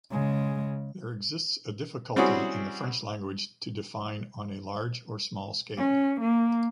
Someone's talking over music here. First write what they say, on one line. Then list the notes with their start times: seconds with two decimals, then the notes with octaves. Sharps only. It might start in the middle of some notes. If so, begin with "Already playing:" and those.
There exists a difficulty in the French language to define on a large or small scale.
0.11 C#3 G#3
2.16 G3 C4 C#4 E4 F#4 G#4
5.76 C#4
6.19 A#3